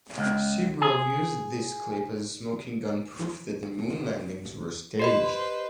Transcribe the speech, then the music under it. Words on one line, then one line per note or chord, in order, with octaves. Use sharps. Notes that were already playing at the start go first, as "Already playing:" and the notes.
Sibrel views this clip as "smoking gun" proof that the Moon landings were staged.
C#2
G#4
G4 B4 C5 D#5 B5